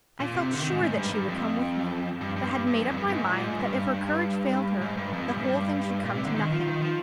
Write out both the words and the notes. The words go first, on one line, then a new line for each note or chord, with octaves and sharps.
I felt sure that she would come with me, but had made up my mind that if her courage failed her, the whole thing should come to nothing.
A#2
C3
D3
D#3
G#2
G#2
G2
G2
F2
G2
G2
G2
G2
F2
G2
G2
G#2
A#2
G#2
G2
G#2
G2
F2
G2
G#2
G2
A#2
C3
D3
D#3
F3
D#3
F3